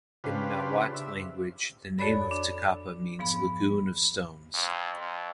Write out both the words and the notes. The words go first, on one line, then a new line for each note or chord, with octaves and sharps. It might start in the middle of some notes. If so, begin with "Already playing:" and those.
In nahuat language the name of Tecapa means Lagoon of stones.
C#3 D4 F4 G4 B4 C5
E5
F2 F#4 A4 C#5 D5 B5
D4
G#2 F3 B3 B5
F2
F2